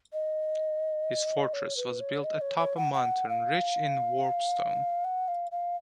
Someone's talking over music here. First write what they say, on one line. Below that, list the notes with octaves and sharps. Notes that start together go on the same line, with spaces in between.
His fortress was built atop a mountain rich in warpstone.
D#5
C#5
B4
C#5
D#5
C#5
C#5
F#5
F#5
F5
F#5
F5
F5